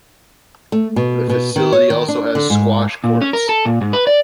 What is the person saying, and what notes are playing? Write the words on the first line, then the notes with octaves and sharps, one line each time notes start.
The facility also has squash courts.
A3
B2
B2
D#3
C#5
D#3
D4
D3
G#2
A#2
C#4
A#4
A4
A#2
G#2
B4
D5